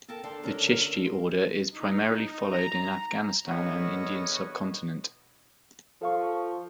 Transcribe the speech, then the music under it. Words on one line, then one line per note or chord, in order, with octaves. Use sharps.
The Chishti Order is primarily followed in Afghanistan and Indian subcontinent.
A4 A#4 G5 A5
D4 A4 C6
D3 C#4 A4 A#4
A#4
A#4
C6
D#4
A#5
E2 D3 B3 F#4 C#5 D#5
F3 A4 F5 C#6